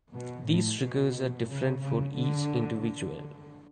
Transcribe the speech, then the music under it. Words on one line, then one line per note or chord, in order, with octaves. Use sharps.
These triggers are different for each individual.
B2
A2
B2
C#3
C#3
D3
D3